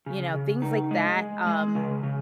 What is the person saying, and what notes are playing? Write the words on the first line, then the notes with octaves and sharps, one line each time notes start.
you know, things like that, um,
C#3
C#3
D#4
G#3
G#3
G#3
C#3
C#3